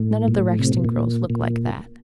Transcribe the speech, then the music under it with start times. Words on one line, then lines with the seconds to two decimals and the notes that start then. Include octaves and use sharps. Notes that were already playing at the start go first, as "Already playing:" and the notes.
None of the Rexton girls looked like that.
Already playing: A2
0.28 A#2
0.39 A2
0.59 C3
0.72 B2
0.85 A#2
1.30 A#2